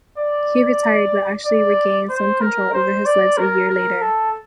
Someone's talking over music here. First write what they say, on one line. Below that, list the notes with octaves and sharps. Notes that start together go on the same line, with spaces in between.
He retired, but actually regained some control over his legs a year later.
D5
D5
C5
A#4
C5
D5
A#4
A#4
A4